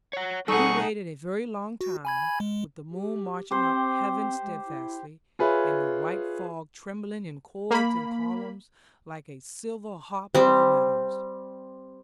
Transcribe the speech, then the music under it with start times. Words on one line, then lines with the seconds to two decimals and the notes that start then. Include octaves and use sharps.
We waited a very long time, with the moon marching up heaven steadfastly, and the white fog trembling in chords and columns, like a silver harp of the meadows.
0.13 C#5 F#5
0.48 B2 G3 D#4 G#4 A4 F#5 C#6
1.81 F#4
2.05 G#5 B5 G#6
2.40 G#3
2.89 G4
3.51 C4 G4 C5
4.43 G#3
4.66 E4
5.39 F4 G#4 B4 C#5 E5
7.71 A#3 B5
10.35 G3 C4